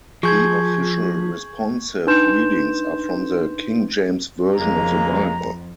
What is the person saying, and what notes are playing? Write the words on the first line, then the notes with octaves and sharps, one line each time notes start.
The official Responsive Readings are from the "King James Version of the Bible".
F3 G#4 C#6 G6 G#6
D4 D#4 B4 C6 G6 E7
F2 C#3 G#3 A#3 A#5